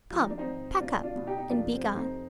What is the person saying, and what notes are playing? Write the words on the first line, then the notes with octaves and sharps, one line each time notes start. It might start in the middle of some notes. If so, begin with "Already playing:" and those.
Come! pack up; and begone.
F3 F4
D#4
D4
C4 D#4
G#1
B2 D4 F4
D4 F4
B2
D#4 G4
D#4
F1 D4 F4
C4
C3
C4 D#4